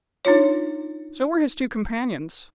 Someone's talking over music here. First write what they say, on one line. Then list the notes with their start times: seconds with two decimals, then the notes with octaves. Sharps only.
So were his two companions.
0.25 D4 D#4 F4 C#5